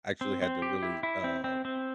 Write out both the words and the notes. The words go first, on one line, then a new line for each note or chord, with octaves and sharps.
I actually had to really, um,
C4
C4
G4
E4
E4
C4
C4
C4